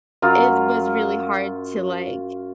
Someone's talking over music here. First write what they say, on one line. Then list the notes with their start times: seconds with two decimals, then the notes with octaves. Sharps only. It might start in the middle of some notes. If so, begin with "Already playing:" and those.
it was really hard to, like,
0.22 F#2 F4 A#5